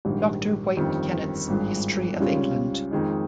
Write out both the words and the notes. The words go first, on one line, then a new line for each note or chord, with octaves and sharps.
Doctor White Kennett's "History of England".
A#1 G#2 D#3 G3
G1 F2 D#3 G3
G#1 G2 F3 G#3
C#2 C#3 G3 C#4 F4
F2 D#3 G#3 D#4